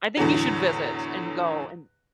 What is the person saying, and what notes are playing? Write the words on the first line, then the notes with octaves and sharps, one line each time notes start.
I think you should visit and go, and
E2 A2 D3 E3 F#3